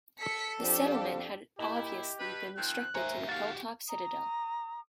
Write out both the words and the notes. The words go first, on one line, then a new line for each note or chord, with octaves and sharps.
The settlement had obviously been restricted to the hilltop citadel.
A4 B6 C#7
F2 F3 D4 G4
A#2 E4 G4 D#5
G2 B4
D#3 F3 C4 F#6
D#2 C5 C#5 E5 G#5 A#5
F#4 G4 F5 A6
A#5 D#6